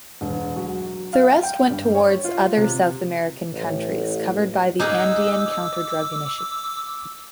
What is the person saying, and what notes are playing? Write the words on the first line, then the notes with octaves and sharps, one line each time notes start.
The rest went towards other South American countries covered by the Andean Counterdrug Initiative.
E1
F#3
F5
G5
G2
C#5
F4
C3
A1
D#4 G#4 F#5 D6 E6